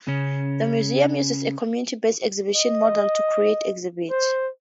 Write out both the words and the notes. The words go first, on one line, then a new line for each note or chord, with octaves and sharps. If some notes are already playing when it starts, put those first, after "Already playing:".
The museum uses a community-based exhibition model to create exhibits.
C#3 C#4
D#5
C5